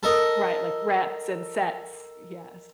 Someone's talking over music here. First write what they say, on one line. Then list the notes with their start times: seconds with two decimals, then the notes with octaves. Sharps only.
Right, like, reps and sets, yes.
0.03 A4 A#4 D#5